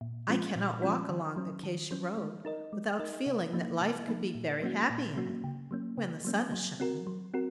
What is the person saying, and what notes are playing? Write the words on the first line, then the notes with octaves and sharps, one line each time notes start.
I cannot walk along Acacia Road without feeling that life could be very happy in it--when the sun is shining.
A#2
F3 G#3 C#4 F4
A#2
F3 G#3 C#4 F4
D#3
F#3 C#4
D#3
F#3 C#4
G#3
D#4 A#4 D#5
G#3
D#4 A#4 D#5
C3
F3 A#3 D#4
C3
F3 A#3 D#4
A#2
F#3 A#3 C#4 F#4
A#2
F#3 A#3 C#4 F#4
C#3
F#3 A#3 C#4
C#3
F#3 A#3 C#4
F#3
C4 F#4 A#4
F#3
C4 F#4 A#4